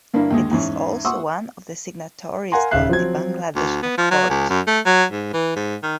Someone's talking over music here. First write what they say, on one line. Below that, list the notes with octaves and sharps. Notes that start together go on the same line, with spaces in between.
It is also one of the signatories of the Bangladesh Accord.
G2 D3 A#3 D4 E4
D#2 D3 G#3
E2 G#2 C#4
F#5 C6 C#6 D#6 E6
A#4 F5 F#5 G#5 A#5 C6
D#1 C#3 E5 F5 F#6 C7
F3 F#3 C4 G#6
D2
B3
F3
F#3
C#2
F#2
A3
F#3
G#2
E3
G#2
D#3